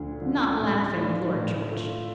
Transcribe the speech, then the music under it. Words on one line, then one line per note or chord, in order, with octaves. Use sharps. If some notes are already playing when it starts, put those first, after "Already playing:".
"Not laughing, Lord George."
Already playing: D2 D3 F3
D3 F3
A2
A3 D4 F4
A2
A3 D4 F4